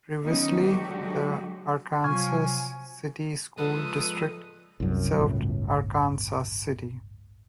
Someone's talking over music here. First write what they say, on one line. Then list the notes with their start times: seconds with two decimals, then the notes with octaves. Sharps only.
Previously the Arkansas City School District served Arkansas City.
0.24 D#3 F#3 B3 C#4 D#4
0.62 D3 F#3 G#3 F#4 G4
2.04 C3 F3 F#3 G#5 C#6 F6 G#6
3.58 F3 G#3 A4 B4 D#6
4.80 C2 F#2
5.18 G1 C#2 A2